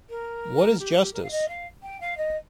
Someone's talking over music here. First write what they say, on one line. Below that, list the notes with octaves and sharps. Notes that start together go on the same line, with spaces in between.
What is justice?
A#4
G4
G4
A#4
F5
D#5
F5
G5
F5
D#5